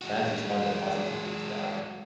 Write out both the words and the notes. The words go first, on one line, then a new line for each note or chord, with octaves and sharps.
Fans responded positively to the album.
G#3 F#4